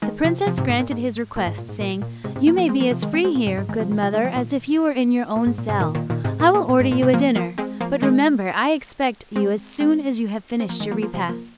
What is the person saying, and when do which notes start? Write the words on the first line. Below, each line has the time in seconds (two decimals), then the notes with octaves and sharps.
The princess granted his request, saying, "You may be as free here, good mother, as if you were in your own cell: I will order you a dinner, but remember I expect you as soon as you have finished your repast."
0.02 D#3 G#3
0.24 C3 F3
0.47 C3 F3
0.58 G#2 C3
0.69 G#2
0.80 A#2
0.91 G#2
1.36 A#2
1.47 G#2
1.58 A#2
1.69 G#2
1.80 A#2
2.02 A#2
2.24 G#2 C3
2.36 G#2 C3
2.47 F3 A#3
2.58 F3 A#3
2.69 G#3 C4
2.80 F3 A#3
2.91 C3 F3
3.02 D#3 G#3
3.13 G#3 C4
3.24 G#3 C4
3.35 A#2
3.47 G#2 C3
3.58 G#2
3.69 D#3 G#3
3.80 C3 F3
3.91 A#2 D#3
4.02 C3 F3
4.13 D#3 G#3
4.25 C3 F3
4.36 A#2 D#3
5.36 A#2
5.47 G#2
5.58 A#2
5.69 G#2 C3
5.80 A#2 D#3
5.95 A#2 D#3
6.10 A#2 D#3
6.24 G#2 C3
6.40 A#2
6.54 A#2
6.69 A#2
6.80 G#2
6.91 A#2
7.02 G#2 C3
7.13 F3 A#3
7.36 F3 A#3
7.58 G#3 C4
7.81 F3 A#3
8.02 D#3 G#3
9.36 G#3 C4
9.80 G#3 C4
10.60 C4
10.69 F3 A#3
10.80 D#3 G#3
10.91 F3 A#3
11.02 F3 A#3
11.14 C3 F3
11.29 F3 A#3